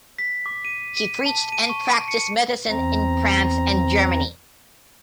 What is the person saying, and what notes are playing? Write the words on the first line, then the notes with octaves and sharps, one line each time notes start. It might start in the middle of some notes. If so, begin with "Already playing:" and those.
He preached and practiced medicine in France and Germany.
B6
D6
D#7
D#7
A5
D#7
C#6
D7
C#7
E2 C4 A#5